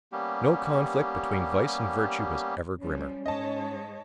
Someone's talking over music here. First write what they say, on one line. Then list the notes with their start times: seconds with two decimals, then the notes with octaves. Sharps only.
No conflict between vice and virtue was ever grimmer.
0.12 G3 A#3 B3 C#4 G4
2.80 F3 G3 C#4
3.26 G#2 C#5 D#5 A5